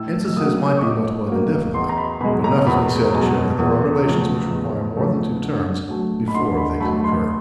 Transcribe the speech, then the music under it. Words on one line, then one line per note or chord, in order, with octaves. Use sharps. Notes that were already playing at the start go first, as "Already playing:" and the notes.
Instances might be multiplied indefinitely, but enough has been said to show that there are relations which require more than two terms before they can occur.
Already playing: A2 E6
E6
F#3 A#3 D#6
C#6
A2 D6
F#3 A#3
E2 C6
A#5
B5
B2 G#3 B5
A#5
E2 B5
B2 G#3
E2
C#3 F3 A3
E2
C#3 F3 A3
D3
F#3 A3
B5
D3 C6
B5
F#3 A3 B5
C6